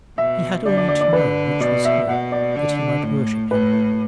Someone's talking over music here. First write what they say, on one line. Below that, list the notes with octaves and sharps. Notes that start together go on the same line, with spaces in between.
He had only to know which was he, that he might worship him.
B2 E5
D3 D5
D5
D5
D5
D3 B4
B2 D5
E5
B2 F#5
D5
D3
A2
A2 B4